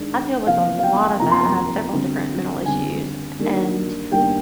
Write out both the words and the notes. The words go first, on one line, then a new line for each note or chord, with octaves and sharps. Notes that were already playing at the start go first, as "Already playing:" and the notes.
I deal with a lot of that, I have several different mental issues, and
Already playing: D#3 G#3 D4
C3 F3 A#3 F5
F5
G5
C3 F3 A#3 A#5
C6
A#5
D3 G3 C4
D3 G3 C4 G#5
D#3 G3 A#3 D4
D#3 G3 A#3 D4 G5